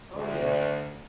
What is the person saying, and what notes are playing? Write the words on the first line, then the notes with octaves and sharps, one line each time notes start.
Oh, yeah,
D2